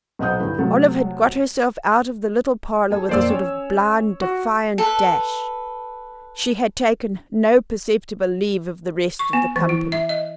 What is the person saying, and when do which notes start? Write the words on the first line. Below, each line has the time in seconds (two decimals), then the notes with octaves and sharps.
Olive had got herself out of the little parlour with a sort of blind, defiant dash; she had taken no perceptible leave of the rest of the company.
0.19 B1 D#4 C5 F#5 D#6 G6
0.40 G2 D3 E4
0.58 C3 F#3 A3 A4
2.90 G#4 A4
3.09 F2 A#2 F4 C5 D5 E6
3.30 C#4 C#5
4.22 F#4
4.78 A4 B4
9.19 C#6
9.33 B3
9.56 E3
9.69 E4
9.92 E5
10.09 D#5